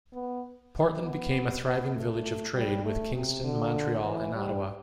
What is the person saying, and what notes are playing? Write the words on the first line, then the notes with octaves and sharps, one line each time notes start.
Portland became a thriving village of trade with Kingston, Montreal and Ottawa.
B3
B3
B3
A3
G3
A3
C3
D3
E3
G3